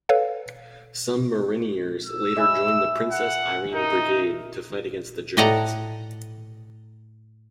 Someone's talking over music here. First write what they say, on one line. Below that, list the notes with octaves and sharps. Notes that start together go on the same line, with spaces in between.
Some Mariniers later joined the Princess Irene Brigade to fight against the Germans.
A4 B4 C#5 F5
E6
E5 G#5 B5
F#5
D#4 A#4
A2 D5 D#5 F#5 A5 A#5